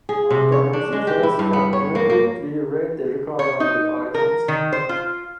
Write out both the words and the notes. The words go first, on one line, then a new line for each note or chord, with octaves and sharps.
Sometimes, users can immediately rate the recommended items.
G#4
C3
C#5
D4
G#3
G4
E4
G2
B3
C#5
A#3
A#3
C#5
D#4
A#4
D#3
C5
F4